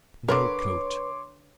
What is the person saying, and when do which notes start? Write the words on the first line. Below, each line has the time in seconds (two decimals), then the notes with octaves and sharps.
No coat!
0.28 D3 F#3 A#4 B4 C#5 C6 D6